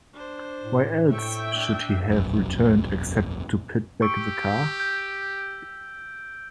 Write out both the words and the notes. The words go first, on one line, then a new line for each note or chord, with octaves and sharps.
Why else should he have returned except to put back the car?
D4 C5
A2
A3 E5 G5 C#6
D4
E1 A#1 F#2
G4 C#6 E6 D7
G6